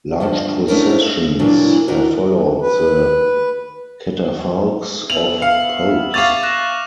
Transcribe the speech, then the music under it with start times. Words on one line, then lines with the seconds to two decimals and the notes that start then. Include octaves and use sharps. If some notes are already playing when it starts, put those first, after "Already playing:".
Large processions have followed the catafalques of Popes.
0.20 D2 G2 F3 A5
0.68 A3 B3 C#4 D4 E4 A#4
0.99 F5
1.39 D2 A#2 E3 F#3 A#3 D4
1.88 E3 D4 F#4 A#4
2.61 B4
5.10 B3 E5 F7 F#7
5.42 F5 C#7
6.14 F5 C#6 D6 A6 F7
6.43 F#6 A#6 E7